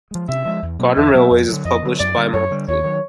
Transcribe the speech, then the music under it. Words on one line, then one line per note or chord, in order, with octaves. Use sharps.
"Garden Railways" is published bi-monthly.
F3 G#3
C3 E5
F3 G#3
E2
B2 F#3 A#3
E2 E5
B2 F#3 A#3
F2
D3 F#3
F2 D#5
D3 F#3
F#2 D5
D3 G3
F#2 C#5
D3 G3
D#2 C#5
D#3 F#3